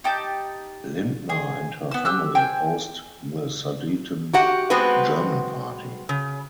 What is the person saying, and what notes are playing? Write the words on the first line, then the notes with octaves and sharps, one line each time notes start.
Lindner and her family opposed the Sudeten German Party.
D#4 G4 A5 G6
G#4
B3 E6
G4 E6 F#6
C5 G5 G#5
F#4 G4 F#5
G#3 B3 C4 F#4 B4
C#3